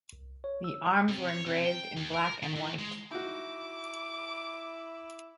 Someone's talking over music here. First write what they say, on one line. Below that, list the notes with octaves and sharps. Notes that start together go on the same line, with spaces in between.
The arms were engraved in black and white.
C2
C#5
E6
C3
C#5
C3
G5
D#2
A#4
D#3
E3
G#3
D#4 E4 F#4 D6